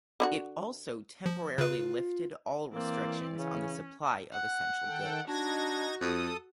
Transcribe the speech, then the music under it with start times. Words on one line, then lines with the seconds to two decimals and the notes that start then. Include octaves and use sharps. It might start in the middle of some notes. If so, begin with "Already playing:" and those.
It also temporarily lifted all restrictions on the supply of essential goods.
0.20 D3 D#4 F#4
1.26 F3
1.58 C#3 F4 B4
2.74 E3 A#3 C4 D5
3.38 C#3 C#4
4.32 F#5
4.85 D#3 A4 G5
5.28 D4 D#4 F#4 G#6 A#6
6.01 F2 A4 D#6